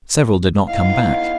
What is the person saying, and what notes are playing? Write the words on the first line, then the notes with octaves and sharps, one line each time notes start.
Several did not come back....
B3 D#4 E4 F5